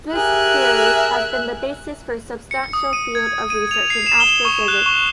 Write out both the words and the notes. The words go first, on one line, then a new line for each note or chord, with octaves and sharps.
This theory has been the basis for a substantial field of research in astrophysics.
G4 G#4 A#4 E5 G#5 F#6
C#7
D#6
D#7
G#6
D#7
F7
C7
E7
G7
C#6
F#6
C#6